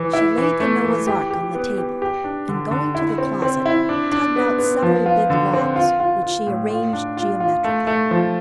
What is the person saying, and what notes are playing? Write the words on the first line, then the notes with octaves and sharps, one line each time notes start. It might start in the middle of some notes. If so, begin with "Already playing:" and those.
She laid the Noah's ark on the table, and going to the closet tugged out several big logs, which she arranged geometrically.
Already playing: E3
E4
E3
A3
E3
G4
G4
B3
G4
G4
D4
D3
D3
E4
C4
C4
E4
D4
D4
B3
B3
F3
F4
D3
C4
F4
F4
F4
A2
F4
D4
F4
F4
A3
A3
F3